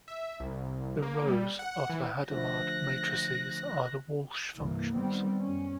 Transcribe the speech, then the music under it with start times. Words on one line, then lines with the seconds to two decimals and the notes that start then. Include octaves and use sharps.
The rows of the Hadamard matrices are the Walsh functions.
0.08 E5
0.40 C2
1.02 A#3
1.28 G3
1.59 F#5
1.90 E3
2.30 D3 F3 A3 F#6 A#6
4.56 C2 G2 E3 A#3
4.94 D#3 G3 B3 C4
5.41 F#2 C#4